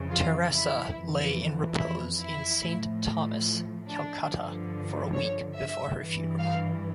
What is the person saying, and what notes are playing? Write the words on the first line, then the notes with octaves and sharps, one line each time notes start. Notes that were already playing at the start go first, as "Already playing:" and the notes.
Teresa lay in repose in Saint Thomas, Calcutta, for a week before her funeral.
Already playing: F2 C#3 E3
F4
E4
F2 E3
E4
E4
A2 F3
D4
G2 D3 F3
C#5
E5
G2 E3
F5